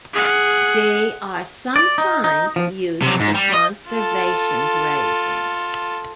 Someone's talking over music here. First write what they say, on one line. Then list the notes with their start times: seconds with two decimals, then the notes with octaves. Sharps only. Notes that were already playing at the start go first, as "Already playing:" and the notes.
They are sometimes used for conservation grazing.
0.13 G#4 F#5
1.76 D5
1.98 D#4
2.24 D#4
2.56 F3
3.02 C3 F#3
3.20 G#2
3.35 G3
3.54 D#5
3.89 F4 A4